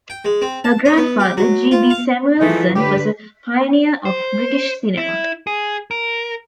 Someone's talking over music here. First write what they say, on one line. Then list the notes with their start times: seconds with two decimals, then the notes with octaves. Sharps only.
Her grandfather, G. B. Samuelson, was a pioneer of British cinema.
0.10 G5
0.25 G#3
0.42 C4
0.64 A5
0.85 C#4
0.97 B3
1.20 G4
1.37 F#3
1.71 F4
1.90 F5
2.41 E3 F3 G#3 A3 D#4
2.75 D3 G4 B4
4.05 C5
4.97 E4
5.47 G#4
5.91 A#4